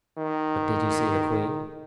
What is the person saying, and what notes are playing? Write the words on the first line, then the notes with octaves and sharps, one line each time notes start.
"But did you see the queen?"
D#3